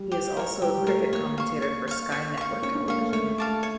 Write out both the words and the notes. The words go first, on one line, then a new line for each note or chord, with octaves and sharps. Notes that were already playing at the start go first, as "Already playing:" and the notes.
He is also a cricket commentator for Sky Network Television.
Already playing: G3
G4
A#4 C#5
G3 G4
G3
A3 A#4 C#5
A#3 C#5
F5 C#6
C#5
F5 C#6
C#5
F5 C#6
A#3
C#4 C#5
D4
A#3 F5 C#6
A3
A3 C#5
A3
F5 A5 D6
A3
C#5